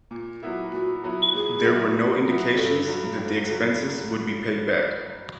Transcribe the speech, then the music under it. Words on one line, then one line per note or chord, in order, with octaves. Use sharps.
There were no indications that the expenses would be paid back.
A#2
F#3 B3 E4
A#2 F#4
F#3 B3 E4
A#2 G#4
F#3 B3 E4
A#2
F#3 B3 E4
G2 A4
D3 F#3 A3
G2
D3 F#3 A3